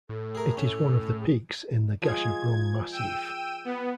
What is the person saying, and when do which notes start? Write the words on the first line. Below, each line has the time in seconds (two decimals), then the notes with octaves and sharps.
It is one of the peaks in the Gasherbrum massif.
0.09 A2 A4
0.35 G#4 A#4
0.57 C#4 A4
1.20 G#4
2.02 F3 G#3 G#6
2.91 G5 E6 D#7
3.65 B3